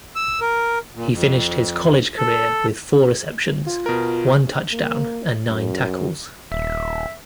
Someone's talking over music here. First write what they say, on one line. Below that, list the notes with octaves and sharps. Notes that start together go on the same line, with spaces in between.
He finished his college career with four receptions, one touchdown and nine tackles.
E6
A#4
A#2
F2
A4
F4
B2 A#4
A#3
F#2
D#1 E5